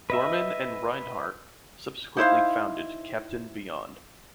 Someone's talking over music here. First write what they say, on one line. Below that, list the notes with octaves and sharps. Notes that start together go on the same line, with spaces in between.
Dorman and Reinhardt subsequently founded Captain Beyond.
B4 D#5 E5
D#4 E4 C5 F5